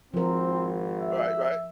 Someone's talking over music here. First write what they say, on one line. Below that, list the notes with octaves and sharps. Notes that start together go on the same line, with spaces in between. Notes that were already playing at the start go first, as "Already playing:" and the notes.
Right, right.
G#1 F3 C4 A#4
E5